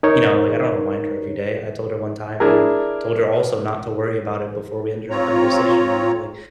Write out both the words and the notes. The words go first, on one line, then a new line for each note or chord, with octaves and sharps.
you know, like, I don't remind her every day. I told her one time and told her also not to worry about it before we ended our conversation, you know, like
D#4 A#4 C#5
D4 E4 G#4 A#4
C4 F4 C#5 A#5